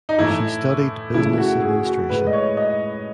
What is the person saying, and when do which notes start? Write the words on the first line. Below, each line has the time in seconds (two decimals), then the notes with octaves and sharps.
She studied Business Administration.
0.09 D#4
0.19 A2 E3 A3 E4
1.14 C#3 E3 A3 E4
1.38 F#4
1.62 G#4
1.85 F#4
2.10 A2 G#3 B4
2.27 D#5
2.33 C#5
2.57 D#5